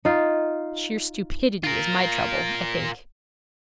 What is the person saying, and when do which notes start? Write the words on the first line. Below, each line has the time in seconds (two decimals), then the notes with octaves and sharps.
Sheer stupidity is my trouble, I think.'
0.05 D#4 F4
1.64 F4 A#4